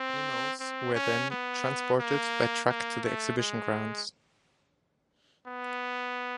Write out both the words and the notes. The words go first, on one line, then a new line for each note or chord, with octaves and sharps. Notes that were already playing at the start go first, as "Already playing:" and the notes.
The animals were then transported by truck to the exhibition grounds.
Already playing: C4
C4
C#4
B3
A#3
A#3
A3
G#3
B3